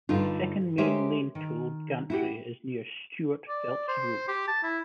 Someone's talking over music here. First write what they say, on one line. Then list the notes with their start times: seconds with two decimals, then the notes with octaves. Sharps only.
The second main lane toll gantry is near Stewart Feltz Road.
0.09 G2 D3 D#4 F4
0.78 G#3 G4 A#4 C5 C#5 E5
1.35 D#3
2.10 E4 F#4 G4
3.48 D5
3.88 C5
4.28 G4
4.48 A5
4.63 E4